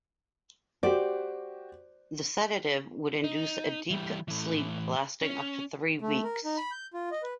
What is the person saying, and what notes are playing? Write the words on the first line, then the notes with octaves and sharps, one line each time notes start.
The sedative would induce a deep sleep lasting up to three weeks.
F#4 G4 C5 D5
D#4
E3 G3
A2 E3
C#4
A3
A#4
D#4
B5
G6
F4
D#5
B4